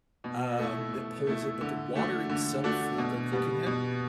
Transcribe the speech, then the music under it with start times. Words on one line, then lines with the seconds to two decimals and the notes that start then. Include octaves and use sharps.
um, that pulls it, but the water itself that they're cooking in,
0.24 B2
0.59 A3 E4
0.93 B2
1.27 A3 E4
1.61 D3
1.95 A3 D4 F#4
2.30 D3
2.64 A3 D4 F#4
2.98 B2
3.32 G3 B3
3.66 B2